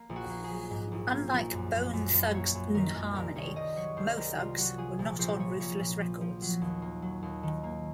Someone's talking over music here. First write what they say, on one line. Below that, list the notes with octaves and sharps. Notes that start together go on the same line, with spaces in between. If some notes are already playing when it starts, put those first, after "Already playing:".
Unlike Bone Thugs-n-Harmony, Mo Thugs were not on Ruthless Records.
Already playing: A#3
A#1
F#4
A#3
G#4
F#3
G#2
A#1
A#3
A#1
F#2
F#2
F#2
F#2
A#3 C#5
F#2
D#3 A#4
F#2
C2 A#4
C2 C#5
C2 D#5
F#3 C#5
C2 C5
C2 A#4
C3 F4
F#3 F#4
F3 G#4
A#1
A#1 C5
F3 C#5
A#1 C#5
A#2
F3
F3
F#3
D#2
A#3
F#3
D#2
D#3
A#3